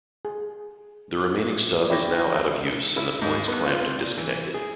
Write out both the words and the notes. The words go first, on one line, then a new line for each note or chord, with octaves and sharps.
The remaining stub is now out of use and the points clamped and disconnected.
G#4
C#5 D5 E5 G5 B5 A#6
E4
G#2
B3
F4
C4
A#2
E3
G#4